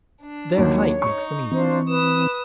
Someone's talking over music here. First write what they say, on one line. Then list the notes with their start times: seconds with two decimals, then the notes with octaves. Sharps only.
Their height makes them easy.
0.23 D4
0.57 D#2 F#3 C#5
1.02 D#4 C#6
1.52 E3 C4 D4 F4 C5
1.89 B4 D#6 E7